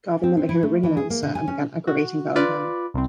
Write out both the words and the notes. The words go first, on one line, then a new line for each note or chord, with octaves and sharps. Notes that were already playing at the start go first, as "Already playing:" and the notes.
Garvin then became a ring announcer, and began aggravating Valentine.
C4
C4
E4
A3
E3
G#4
A#3
D3
G#5
C#4
F#4
F4 B4 D5
C2 C4